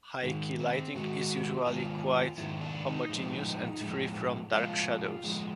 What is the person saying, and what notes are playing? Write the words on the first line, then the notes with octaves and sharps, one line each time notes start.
High-key lighting is usually quite homogeneous and free from dark shadows.
G#2 D#3 G#3
C4
G#2 D#3 G#3 F#4
G#2 D#3 G#3 F4
G#2 D#3 G#3 E4
D4
D#4
A2 F3 G#3
A2 F3 G#3
A2 F3 G#3 F4
A2 F3 G#3